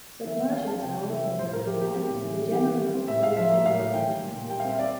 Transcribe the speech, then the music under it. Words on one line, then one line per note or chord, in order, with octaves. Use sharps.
Submersions are also well defined for general topological manifolds.
E3 E5
E3
G3 F5
C4 A5
C3 G5
C3
E3 E5
G3
A2 C5
A2 A#4
F3 G4
A#3 G4
C4 G4
A2
E3
G3
E3 G4
E3
G3
C4
A2 E5
A2 F5
F3 E5
A#3
A2 F5
A2
E3 G5
G3
A#2
A#2
G3 G5
F5
C4
E5
C4 D5